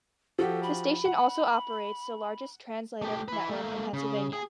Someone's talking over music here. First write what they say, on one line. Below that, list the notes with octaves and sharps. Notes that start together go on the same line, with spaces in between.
The station also operates the largest translator network in Pennsylvania.
F3 F#4 G4 A4
B5
F#5
A3 G4
E4 B4
A3 A#3
C#3
G#4